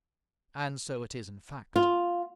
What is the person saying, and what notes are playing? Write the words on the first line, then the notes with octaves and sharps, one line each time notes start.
And so it is in fact.
F4